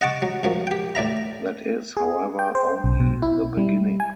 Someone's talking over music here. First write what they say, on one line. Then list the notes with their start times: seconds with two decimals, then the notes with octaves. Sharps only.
That is, however, only the beginning.
0.01 D#5 F#5 A5 C#6 D6
0.22 F#3
0.43 F#2 F3 F#3
0.67 G4 G5
0.95 A2 D5 E5 A#5
1.97 G#4
2.39 G5
2.55 C5
2.84 B1
3.00 B2
3.22 E4
3.57 G3
4.00 G#5